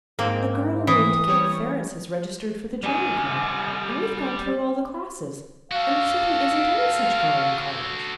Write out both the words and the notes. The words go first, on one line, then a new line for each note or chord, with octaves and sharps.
"A girl named Kate Ferris has registered for the German Club, and we've gone through all the classes, and there simply isn't any such girl in college."
G#2 A#3 C4
E3 D#6
G3 C#5
G3 G#5
F#4 A4 F5